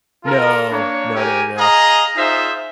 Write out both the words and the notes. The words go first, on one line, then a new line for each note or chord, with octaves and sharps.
No. No, no, no.
F4 A4 A#4
A#3 D4 C#5
G4 A#4 G#5
G#4 D#5 F5 A#5
D#4 F4 G#4 C5 E5